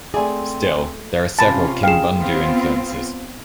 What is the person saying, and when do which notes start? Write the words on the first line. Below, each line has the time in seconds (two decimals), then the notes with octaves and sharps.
Still, there are several Kimbundu influences.
0.14 A3 C4 G#4 D5 G#5
1.39 C3 C#4 F4 G#5 A5 B5
1.83 G#4 F5 G5 E7
2.18 B3 C4 F4